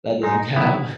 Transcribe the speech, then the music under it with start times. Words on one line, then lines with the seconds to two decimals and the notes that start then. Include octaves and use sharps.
that doesn't count.
0.23 G#3 D#4
0.56 D#3 F#3 B3 E4